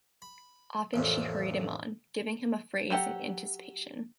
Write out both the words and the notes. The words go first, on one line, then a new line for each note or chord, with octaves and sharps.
Often she hurried him on, giving him a phrase in anticipation.
B5
A1 F2 A#2
F#3 G#3 G4 A4 F#5